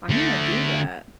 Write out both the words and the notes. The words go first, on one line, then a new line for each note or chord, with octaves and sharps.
I'm gonna do that.
D3 A3